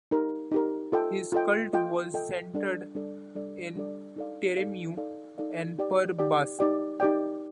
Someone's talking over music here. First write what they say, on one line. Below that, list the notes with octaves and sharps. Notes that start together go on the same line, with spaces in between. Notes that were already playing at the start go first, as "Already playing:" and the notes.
His cult was centred in Taremu and Per-Bast.
D#4 G4 A#4
D#4 G4 A#4
F4 A4 D#5 G5
F4 A4 D#5 G5
F4 A4 D#5 G5
F4 A4 D#5 G5
G3 D4 A4 D5
G3 D4 A4 D5
G3 D4 A4 D5
G3 D4 A4 D5
D#4 A4 D5 F5
D#4 A4 D5 F5
D#4 A4 D5 F5
D#4 A4 D5 F5
D#4 G4 D5 G5
D#4 G4 D5 G5
D#4 G4 D5 G5
D#4 G4 D5 G5